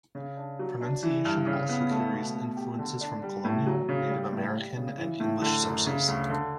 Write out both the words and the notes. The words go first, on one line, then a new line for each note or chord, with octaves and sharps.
Pronunciation also carries influences from colonial, Native American, and English sources.
C#3
D4
F#3
D4
E3
G2
C#3
B3
A3
B2
A3
G4
D3
D4
G3
A2
F#3
C#3
G3
A2
G3
C#3
E3
A2
D3
F#2
C#3
D2
D3